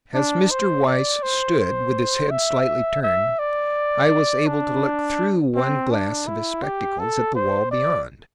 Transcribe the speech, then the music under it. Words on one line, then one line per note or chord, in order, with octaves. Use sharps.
As Mr. Weiss stood, with his head slightly turned, I was able to look through one glass of his spectacles at the wall beyond.
D4
C5
D5
C5
C5
E5
E5
D5
D4
C4
D4
E4
G4
A4
C5
D5